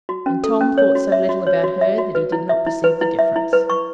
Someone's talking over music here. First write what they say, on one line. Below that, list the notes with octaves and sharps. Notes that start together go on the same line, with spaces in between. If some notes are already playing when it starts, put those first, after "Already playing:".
And Tom thought so little about her that he did not perceive the difference.
F#4
C#4
A4
C#4
C#5
F#4
E5
F#4
C#5
F#4
E5
F#4
B4
E4
E5
E4
B4
E4
E5
E4
B4
C#6